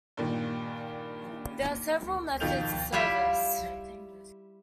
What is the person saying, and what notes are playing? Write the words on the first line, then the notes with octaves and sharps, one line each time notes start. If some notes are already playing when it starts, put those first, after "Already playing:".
There are several methods of service.
G2 A#2 D#3
F2 B2 D#3 F4 G6 F7
G3 E4 F4 G4 E5